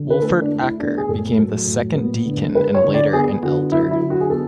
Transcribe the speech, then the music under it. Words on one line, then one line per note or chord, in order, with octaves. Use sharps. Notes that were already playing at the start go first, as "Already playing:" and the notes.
Wolfert Acker became the second deacon and later, an Elder.
Already playing: D3
B4
A3 A4
D4
A3
E4
B3 D4
G#4
A2 A4
F#3 A4
A2
B3
D3
G#3 B4
C#5
D3
D5
B3 G#4
D3 F#4
F#3 E4
E4
D3
F#4
G#4
B3 A4